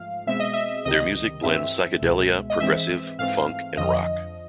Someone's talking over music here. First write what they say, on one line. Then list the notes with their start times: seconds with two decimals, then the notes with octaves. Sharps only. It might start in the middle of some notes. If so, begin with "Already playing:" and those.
Their music blends psychedelia, progressive, funk, and rock.
Already playing: G#2 F3 A3 F5
0.27 B2 G#3 C4 E5
0.40 D#5
0.53 E5
0.85 C#2 C3 D#3 G3 D#5
1.43 G2 E3 A3 C4 E5
2.02 C#2 B2 G#3
2.50 D#5
2.60 G#2 E3 G#3 C4 E5
3.19 G#2 E3 A3 C4 F5
3.77 F2 D3 F3 D#5